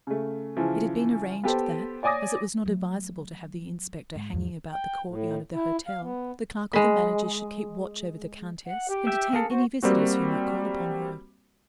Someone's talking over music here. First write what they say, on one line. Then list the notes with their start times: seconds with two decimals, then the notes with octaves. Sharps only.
It had been arranged that, as it was not advisable to have the inspector hanging about the courtyard of the hotel, the clerk or the manager should keep watch over the Countess and detain any visitors who might call upon her.
0.07 C#3 A3
0.57 C#3 E3 F3
1.43 B3 G4 A4 C5
2.03 C#5 D5 G#5 D6 D#6 A#6
2.65 F#3 A3
4.15 G#2
4.33 E2 G#2
4.73 G5
5.08 A2
5.54 E4
5.87 F5
6.02 B3
6.73 G#3 B5
8.66 F#5
8.90 G4
9.07 E5 G5
9.33 A#3 G#4 A4
9.50 F#4 C5
9.82 G3 A#3 C4 F#4